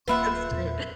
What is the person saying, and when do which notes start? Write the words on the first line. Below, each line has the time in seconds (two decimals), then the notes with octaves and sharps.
that's true.
0.08 D1 A#3 F4 B4 E5 F#5 B5
0.51 E2 A#2